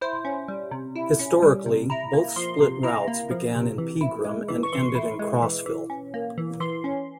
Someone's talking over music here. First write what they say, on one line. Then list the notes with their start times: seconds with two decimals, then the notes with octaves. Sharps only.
Historically, both split routes began in Pegram and ended in Crossville.
0.01 E4 C5
0.25 C#4
0.48 G3
0.71 C3
0.95 E4
1.19 C#4
1.42 G3
1.66 C3
1.90 E4 A#5
2.13 A#3
2.36 F3 C6
2.60 C3
2.83 E4 A#5
3.08 A#3
3.31 F3
3.55 C3
3.78 E3
4.01 E4
4.25 G#3
4.48 E3
4.63 C#6
4.73 E3 C6
4.95 E4
5.19 G#3
5.43 E3
5.66 E3
5.90 C#4
6.14 A#3
6.38 E3
6.60 E3 C6
6.84 C#4